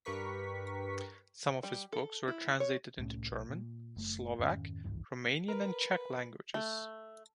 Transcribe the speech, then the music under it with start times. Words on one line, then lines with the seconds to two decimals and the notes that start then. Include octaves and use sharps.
Some of his books were translated into German, Slovak, Romanian and Czech languages.
0.05 G2 G4 A#4 B4 C#6 B6
1.63 G3
1.93 A4
2.28 E4
2.60 C#5
2.98 C2 A2 A3 C#4
3.30 B1
3.49 A#2
3.96 F#1 A3
4.39 F2 G#2 D#3 C#4
4.84 G#1 C#2 G2 E3
5.48 A#4 B4
6.54 A3